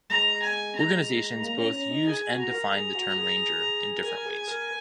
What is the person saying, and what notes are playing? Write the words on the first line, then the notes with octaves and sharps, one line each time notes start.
Organizations both use and define the term "Ranger" in different ways.
G#3 A#5
G#5
A#5
A#3 A#5
C#4
C#4
D#4
G#4 G#5
F#4
A#5
A#4
G#4
F#4
G#4
A#4 G#5
G#4
A#4